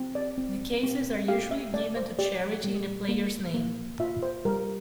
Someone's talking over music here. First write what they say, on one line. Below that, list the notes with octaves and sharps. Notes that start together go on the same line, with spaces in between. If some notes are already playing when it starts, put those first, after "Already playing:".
The cases are usually given to charity in the player's name.
Already playing: C4
D5
C4
C4
G4 F5
E5
A3 D5
C5
G4 D5
G3
A#3
A#3
F4 E5
C5
G3 A#4